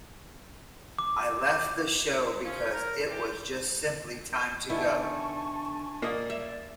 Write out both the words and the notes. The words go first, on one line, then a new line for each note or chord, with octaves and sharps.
I left the show because it was just simply time to go.
D6
F3 C#4
A#4
E2 G4
D3 B3 D#4 E4 G#5 A5 C#6
A#2 A#3 D5 D#5
E5